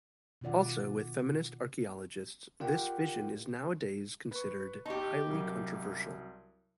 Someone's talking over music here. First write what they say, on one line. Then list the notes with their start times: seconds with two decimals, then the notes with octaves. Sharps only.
Also with feminist archaeologists this vision is nowadays considered highly controversial.
0.41 B2 D#3 F4 D5 F#5
2.60 F4 G4 A#4 D5 F#5 G5
4.31 B4 C#6
4.86 D#4 G4 A5 C6 C#6
5.29 C2 F#2 F#3